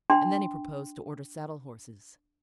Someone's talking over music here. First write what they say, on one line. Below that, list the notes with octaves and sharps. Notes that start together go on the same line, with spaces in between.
And then he proposed to order saddle-horses.
D4 G5 C6